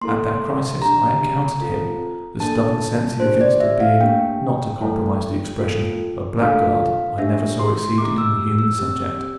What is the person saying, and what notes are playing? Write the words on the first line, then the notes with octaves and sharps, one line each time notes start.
At that crisis, I encountered him; the stubborn sense he evinced of being--not to compromise the expression--a blackguard, I never saw exceeded in the human subject.
A#3 E4 A4 C6
D4 G4 A#5
C4 F4 A4
A#3 D4 A4 A5
D4 G4 C5
D5
E5
F5
A#3 D4 G4 G5
A3 E4 A4
A#3 F4 A4
A3 D4 F4 A4 F5
D4 G4 E5
C6
A3 E4 G4 D6
E6
E6
C4 G4